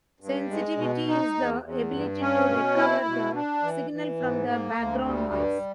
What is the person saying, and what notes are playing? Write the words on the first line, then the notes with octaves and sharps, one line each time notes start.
Sensitivity is the ability to recover the signal from the background noise.
G2
G#3
B2
D#4
E2
E2
G2
C#4
B2
E4
B2
D4
E3
E3
G#2
A#3
D2
G3
G2